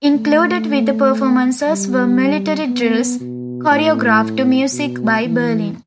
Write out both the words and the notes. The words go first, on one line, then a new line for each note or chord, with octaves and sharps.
Included with the performances were military drills choreographed to music by Berlin.
A3
G3
B3
B2
A2
B2
E3